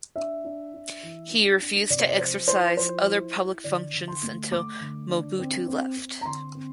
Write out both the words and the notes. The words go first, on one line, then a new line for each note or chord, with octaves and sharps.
He refused to exercise other public functions until Mobutu left.
D4 E5
D4
D4
E3
D4
D4
C3 D5
C5
D5
F3 C5
E4 C5
F3 C5
E4
E4
D3 D5
D3
C6
A3
A3 D6
D3
D4
C4
C4
C4
A#5
D3 C6
C4